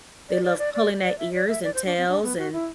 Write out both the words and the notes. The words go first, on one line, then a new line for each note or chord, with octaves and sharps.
They love pulling their ears and tails and,
D5
D5
D5
D5
D5
E5
D5
E5
D5
C5
D4
C4
D4
B3
F#4
E4